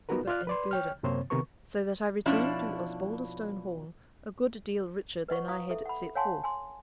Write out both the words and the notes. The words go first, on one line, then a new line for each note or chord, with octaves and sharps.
Hooper and Girder, so that I returned to Osbaldistone Hall a good deal richer than I had set forth.
B3 D#4 F4 F#4 A#4 B4
F4 D5 F6 F#6
B4 D5 C6
C#5 G5 F6
F#2 C3 A#3 C4 C5 C#5
C3 D#3 B3 A#4 B4 C#6
B2 F3 C#4 D4 E4
B4 D#5 F#5 C#6
E4 F5 D#6
A4 E5
F#5 B5
C#5 F5 F#5 G#5 A5 C6
G#5 C6